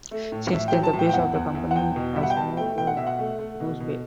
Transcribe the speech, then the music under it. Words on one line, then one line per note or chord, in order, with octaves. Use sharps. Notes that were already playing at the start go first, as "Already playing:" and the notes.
Since then the base of the company has moved to Goose Bay.
A3
A2
A2 E5
F#3 G5
A5
A2
G5
G5
E2 F#5
E2
E2
F#5
E2 G5
B2
G3 E5
F#5
G5
B2 A5
A3 G5
B2 G5
F#5
B2 E5
F#5
A3
A3
B2
B2